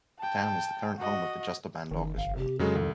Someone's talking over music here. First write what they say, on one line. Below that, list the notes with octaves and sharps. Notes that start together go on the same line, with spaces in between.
The town is the current home of the Jostiband Orchestra.
G5 A5
F#4 D#5
F#1 D#3
G#1 F5
C3 G4
F2 C#3 F#3 G#3 A4
C2 D#3